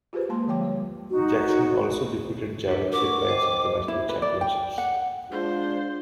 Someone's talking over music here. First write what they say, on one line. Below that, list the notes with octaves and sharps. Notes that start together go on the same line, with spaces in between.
Jackson also defeated Jarrett eight times at the national championships.
F4 G4 G#4 B4 C5
G#3 A#3 A5 C6
D3 F3 C#5 G5 D6
G3
D#4 F#4
D4 B4
A#4 F#5 C#6 D6
C5 D#5 G5
E4
B4
D5
G5
F#5
G#3 D4 F4 C5